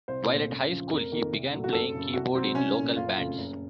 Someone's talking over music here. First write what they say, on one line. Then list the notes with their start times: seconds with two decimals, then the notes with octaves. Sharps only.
While at high school he began playing keyboard in local bands.
0.08 C2 C5
0.29 A#2 A3
0.50 F#2
0.70 C#3 F3
0.91 F1 A#4
1.12 F2 D#3 A#3
1.32 C2
1.53 A#2 F#3 A3
1.64 F#4
1.72 F#1 A4
1.94 F#2 C#3
2.14 C2 F#4
2.35 C3 F#3 C4
2.54 C2 C#4
2.76 A#2 A3
2.96 F#1 F4
3.16 F2 C#3 A3
3.38 F#1